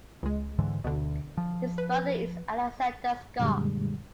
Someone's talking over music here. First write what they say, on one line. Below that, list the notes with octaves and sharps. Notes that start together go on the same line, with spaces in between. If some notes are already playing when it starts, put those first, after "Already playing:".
His brother is Alexander Scott.
C#2 G#3
G#2 D3 E3
D2 B2 D3
F3
B4
F#2 A#2 D3 G3 G#3